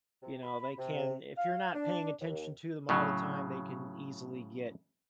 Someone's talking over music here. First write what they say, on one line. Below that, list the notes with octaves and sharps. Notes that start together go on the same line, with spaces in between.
you know, they can if you're not paying attention to them all the time, they can easily get,
C3
B5
C3
F5
D4
D#2
A2 C#3 F#3